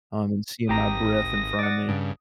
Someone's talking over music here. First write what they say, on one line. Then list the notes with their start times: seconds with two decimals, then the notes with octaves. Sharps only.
um, and seeing my breath in front of me.
0.69 G#1 G4 A#5 D#6 A#6
1.59 D5 F#5 A6
1.88 G2 C#3